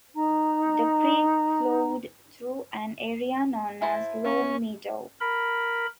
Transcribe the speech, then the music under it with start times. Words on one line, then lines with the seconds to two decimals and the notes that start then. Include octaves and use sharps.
The creek flowed through an area known as Long Meadow.
0.15 D#4 A#5
3.82 E4 C5 A5
4.24 C#4
5.21 A#4 B5